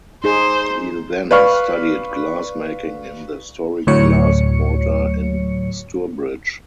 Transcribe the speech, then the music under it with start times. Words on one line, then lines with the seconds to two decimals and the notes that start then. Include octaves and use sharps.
He then studied glassmaking in the Historic Glass Quarter in Stourbridge.
0.24 D#4 G#4 C5
1.31 B4 D5 F5 C#6 F6
3.87 D2 A2 F#3 C#5 C#7